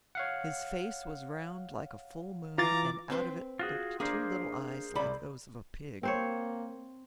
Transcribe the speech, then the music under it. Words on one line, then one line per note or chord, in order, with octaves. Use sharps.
His face was round like a full moon, and out of it looked two little eyes like those of a pig.
C#5 F5 F#5
E3 F4 A#5 D6 A6
C4 B4 C5
F4 F#4 G#4
A#3 D4 G#4 A#4 C5
C2 D5 B5
A#3 C4 C5 C#5